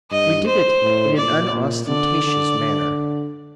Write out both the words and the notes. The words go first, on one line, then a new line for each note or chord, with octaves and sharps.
We did it in an unostentatious manner.
G2 D#5
C5
A2
A#2 D5
A#2
D3 D5
D3
D3